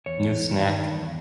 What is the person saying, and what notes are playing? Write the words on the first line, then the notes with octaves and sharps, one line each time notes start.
New snack.
E2 C#5
D#3
E2